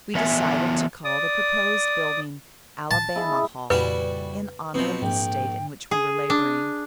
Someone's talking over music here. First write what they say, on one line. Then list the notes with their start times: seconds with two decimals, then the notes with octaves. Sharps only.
We decided to call the proposed building Alabama Hall, in honour of the state in which we were labouring.
0.15 E3 B3 A#4 C#5 E5 G#5
1.04 D5 D#6
2.91 A5
3.16 E4 G#4 D#5
3.70 F2 A#2 C#3 G3 E4 F#4 B4
4.74 B2 F3 F#3 B3 C4
5.02 A#1 G#2 G5
5.91 G#4
6.30 D4